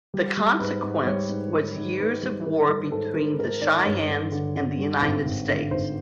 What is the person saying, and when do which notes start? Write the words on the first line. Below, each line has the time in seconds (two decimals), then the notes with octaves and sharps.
The consequence was years of war between the Cheyennes and the United States.
0.14 G3
0.37 G3
0.59 G#2 B4
0.83 G#2
1.07 G3 C#5
1.29 G#2
1.53 D#3
1.76 G#2
2.00 G#2 B4
2.23 G3
2.45 D#3 A#4
2.69 G3
2.92 G#2 A4
3.15 G#2 A#4
3.38 G#2 A#4
3.62 D#3 D5
3.85 G2 C#5
4.08 D3
4.32 D3
4.56 D3
4.78 G3
5.02 G#1
5.25 G#1
5.49 D3
5.71 G#1 C5